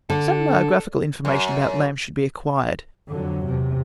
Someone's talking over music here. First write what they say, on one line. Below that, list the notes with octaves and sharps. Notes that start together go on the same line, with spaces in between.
Some biographical information about Lamb should be acquired.
D3 A4
F#2
F2 D3 F#3
E2 C3